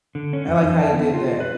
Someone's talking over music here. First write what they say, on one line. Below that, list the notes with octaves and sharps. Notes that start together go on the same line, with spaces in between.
I like how he did that.
D3
C#4
F2
D#4
A5
B3
F4
F4
B4